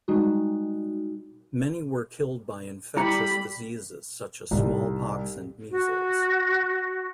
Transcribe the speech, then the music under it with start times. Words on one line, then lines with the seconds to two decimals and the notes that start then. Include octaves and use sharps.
Many were killed by infectious diseases such as smallpox and measles.
0.08 G3 G#3 D#4 F#4
2.97 G3 E4 A#5 B5 C#7
4.51 C2 A2 D#4
5.71 F#4